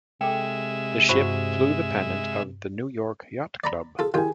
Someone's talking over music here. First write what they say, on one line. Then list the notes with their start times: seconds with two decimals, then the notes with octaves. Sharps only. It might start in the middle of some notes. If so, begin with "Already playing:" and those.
The ship flew the pennant of the New York Yacht Club.
0.21 C3 G#3 A4 E5 G5
1.09 G2 E4 F#4 C5 F#5 C#6
3.64 D5 A#5 B5
3.99 F4 G#4 A4
4.14 D#3 E4 F4 G4 G#4 G5 G#5